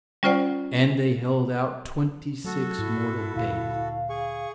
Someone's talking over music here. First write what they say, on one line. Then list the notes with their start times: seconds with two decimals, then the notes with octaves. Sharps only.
And they held out twenty-six mortal days.
0.23 G3 C#4 F4 C5 D5 F#5
2.44 F#3 A3 F#4 A4
2.78 G#2 E4
3.35 D2 A#2 F5
4.09 G#4 C#6